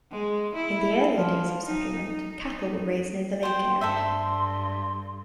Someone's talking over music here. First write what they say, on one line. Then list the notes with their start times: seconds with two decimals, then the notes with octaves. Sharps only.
In the earlier days of settlement, cattle were raised near the lake area.
0.12 G#3
0.55 E4
1.16 F3
1.65 D#4
2.09 D#4
3.43 C5 G5 C6
3.81 G2 A4 C5 E5